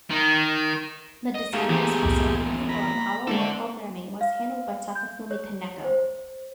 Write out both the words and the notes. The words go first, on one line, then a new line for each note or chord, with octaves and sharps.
The designer was Masayuki Horikawa, while programming was handled by Takafumi Kaneko.
D#3
D#5
G#2 A3 G4 G#4 F5 C#7
E2 A#2 E3
C2 F2 A2
A#5 B5
G#3 A#3 C4 D4 E4 A4 D5
F5
G6
C#5
C5